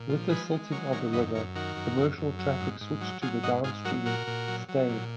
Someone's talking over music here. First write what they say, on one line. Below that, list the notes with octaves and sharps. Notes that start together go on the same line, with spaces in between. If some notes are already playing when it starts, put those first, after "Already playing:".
With the silting of the river, commercial traffic switched to the downstream Staithe.
Already playing: A#2
F3
G#3 G#4 B4
G#3
F#3 A#4 C#5
D#3 A#4 C#5
F#2 B4 D#5
F#2 A#4 C#5
D#3 F#4 A#4
F#2
F#2
F#2
F#3
G#2
G#2
F#3
F#3 F4 G#4
G#2 D#4 F#4
G#2 F4 G#4
F#3 F#4 A#4
A#2 F#4 A#4
A#2
F#3
F#3
A#2